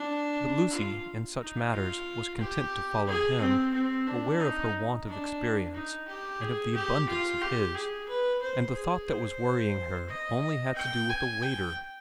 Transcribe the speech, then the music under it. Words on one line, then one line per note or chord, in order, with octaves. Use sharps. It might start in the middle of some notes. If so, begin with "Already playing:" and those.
But Lucy in such matters was content to follow him, aware of her want of experience and of the abundance of his, and the thought that was worrying her only had to do with a waiter.
Already playing: D4
F4
D#4
F4
G4
G#4
C4
C4
D4
D#4
D4
D#4
G4
G#4
G4
F4
G4
G#4
B4
C5
G#4
C5
D#5
G5
G#5
G5